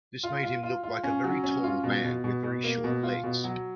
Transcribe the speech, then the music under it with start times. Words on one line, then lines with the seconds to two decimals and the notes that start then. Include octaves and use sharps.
This made him look like a very tall man with very short legs.
0.23 F4
0.43 F4
0.63 F4
0.83 F4
1.03 C#4
1.24 F#3
1.44 C#4
1.64 F4
1.84 B2
2.04 B2
2.24 B2
2.43 B2
2.64 A#3
2.84 B2
3.03 F4
3.24 B2
3.44 F#3